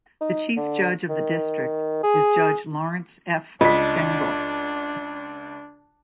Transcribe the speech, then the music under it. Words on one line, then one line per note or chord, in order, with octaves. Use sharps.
The Chief Judge of the District is Judge Lawrence F. Stengel.
D#4
D3
D#3
G#4
C#2 D4 F4 D#5 B6